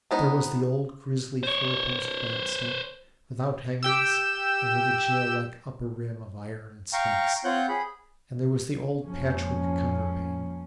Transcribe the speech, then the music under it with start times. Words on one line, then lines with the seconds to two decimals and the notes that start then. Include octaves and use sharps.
There was the old grisly four-post bedstead, without hangings, and with a jail-like upper rim of iron and spikes; and there was the old patch-work counterpane.
0.11 G#3 B3 D#4 E4 C5
1.43 C5 C#5
3.83 G4 G5 E6
6.93 F5 G5 A#5 C#6
7.45 C4 F4 C#5 F#5 F#6 G6
7.69 G#4 B5
9.06 F2 G#2 F3 A#3 C#4